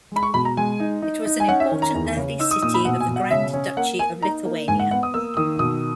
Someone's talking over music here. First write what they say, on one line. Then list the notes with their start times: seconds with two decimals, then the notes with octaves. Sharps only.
It was an important early city of the Grand Duchy of Lithuania.
0.12 G#3 B5
0.23 C#6
0.34 B2 B5
0.45 A#5
0.57 G#3 G#5
0.80 D#4
1.02 D#4
1.26 D#4
1.40 G#5
1.48 C#4 F#5
1.60 E5
1.71 D#3
1.82 A#5
1.95 E2
2.17 C#3
2.39 D#4 E6
2.51 D#6
2.62 A#2 D#6
2.74 B5
2.85 B2 F#5
3.00 G#5
3.08 B2
3.16 F#5
3.31 C#3 E5
3.54 C#4
3.77 A#3 F#5
3.99 A#3 G#5
4.22 D#4 A#5
4.45 A#3
4.68 G#2 G#5
4.79 F#5
4.91 B3 F#5
5.03 D#6
5.14 A#3 E6
5.37 D#3 D#6
5.59 B2 D#6